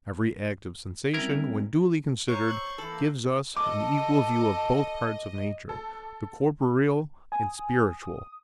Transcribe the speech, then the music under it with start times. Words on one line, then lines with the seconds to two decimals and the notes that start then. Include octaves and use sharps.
Every act of sensation, when duly considered, gives us an equal view of both parts of nature, the corporeal and spiritual.
1.14 G3 C4 C#4 E4 A#4
2.28 C5 C#5 A#5 C#6 G6 C7
2.48 E6 F#7
2.78 E2 A4 F#7
2.90 A#3
3.56 A4 D#5 A5 D6
5.69 A4
7.32 G#5 D#6